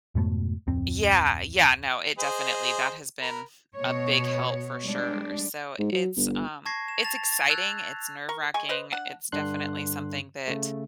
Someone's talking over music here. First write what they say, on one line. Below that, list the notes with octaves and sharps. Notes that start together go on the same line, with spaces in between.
Yeah, yeah, no, it definitely that has been a big help for sure, so it's um, it's exciting, it's nerve racking, it's definitely something that,
F2 G#2 B2 A3
D1 F2 C4
G#4 C5 D#5
A#4 B5
B2 C#5
G3 G#3 D4
G#2
F#3
G1
A5 C#6 G#6 A#6 C7
E7
A5 A6 F7
A6
E6 F#6 G#6 F7
A#4 C#6
G#3 G#5 C#6
B4 C5 D#5
D4 F#5
G2 D3 D4 C6 F#6
C#3 A3